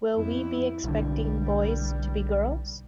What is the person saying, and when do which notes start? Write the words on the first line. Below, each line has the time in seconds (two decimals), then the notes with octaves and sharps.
Will we be expecting boys to be girls?
0.13 F2 E4
0.84 B1 D3 G3